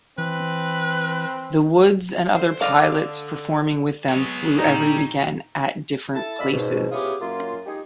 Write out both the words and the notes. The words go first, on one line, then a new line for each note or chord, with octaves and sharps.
The Woods and other pilots performing with them flew every weekend at different places.
E3 C4 B4
D3 C5
D3 A4 D5 D#5 F5
F#3 G#3 B3 C#5
A#2 G3 C#4 D#4 A4 C#5
E4 A4 A5
F#2 G#3 D5 F5 B5 E6
C#2 G#2 B2
B3 C#4 E4 F4 G4 G#4
F#2 A#3 F4
G#3 D#4 G4 G#4